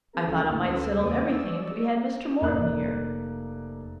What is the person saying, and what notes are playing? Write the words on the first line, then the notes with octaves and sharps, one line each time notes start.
"I thought it might settle everything if we had Mr. Morton here."
B3 C4 E4 G#4 A#4
C#2 C#3 A3 C#4 F#4 A4
A#1 F#2 A#2 D3 E3 A3
D2 C#3 A4 B4 C5 E6
E2 C#3 A#3 D5 D6 D#6
D5 D#5 C#6 E6
F1 A#3 D5 F#6